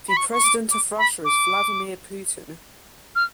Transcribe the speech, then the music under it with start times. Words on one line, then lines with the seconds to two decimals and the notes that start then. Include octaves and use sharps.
The president of Russia is Vladimir Putin.
0.09 B5
0.17 C#6
0.33 C#6
0.44 D6
0.71 D6
0.98 B5
1.25 D6
3.16 F6